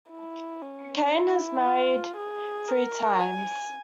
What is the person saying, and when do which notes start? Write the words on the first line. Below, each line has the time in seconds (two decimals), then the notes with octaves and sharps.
Cain has married three times.
0.10 E4
0.61 C#4
1.14 E4
1.65 F4
2.17 G#4
2.68 A#4
3.20 G#5